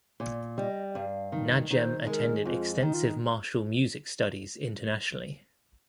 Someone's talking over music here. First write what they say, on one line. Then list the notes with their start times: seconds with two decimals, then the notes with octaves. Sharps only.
Najem attended extensive martial music studies internationally.
0.20 A#2
0.58 G3 D#5
0.90 D#5
0.95 G2 F5
1.32 D#3
1.70 D#3 C5
2.07 G#3 A#4
2.44 F2 F4
2.82 D#3 D#4
2.94 F4
3.05 D#4